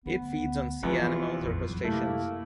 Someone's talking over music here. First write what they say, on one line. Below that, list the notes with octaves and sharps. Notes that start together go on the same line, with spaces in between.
It feeds on sea anemones or crustaceans.
D2 B3
E2 E3 F3 B3 F4
A#1 F2
A2 F#3 G3
F#2 C3 A3 A#3 E4